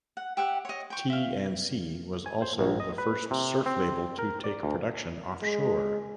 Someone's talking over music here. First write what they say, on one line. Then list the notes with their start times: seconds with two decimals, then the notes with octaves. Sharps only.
T and C was also the first surf label to take production off shore.
0.17 F#5
0.37 G4 E5 F#5
0.65 C#5 D#5
0.90 G5 C#6
1.10 E5 F5
2.26 G#5
2.42 C5
2.59 A#1
2.80 D#5
2.98 B4
3.31 C3
3.66 C4
4.19 A#4
4.44 D5
4.63 D2
5.43 G#3